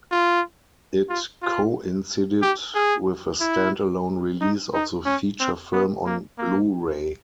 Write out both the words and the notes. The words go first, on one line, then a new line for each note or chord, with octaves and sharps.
It coincided with a standalone release of the feature film on Blu-ray.
F4
F4
F4
G4
G#4
E4
D#4
D#4
C#4
C4
B3
A#3
A#3